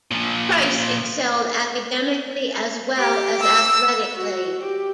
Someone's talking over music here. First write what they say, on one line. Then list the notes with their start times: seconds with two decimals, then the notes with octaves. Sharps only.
Price excelled academically as well as athletically.
0.11 A#2 F3
2.98 G4
3.43 E6
4.15 F#4
4.62 G4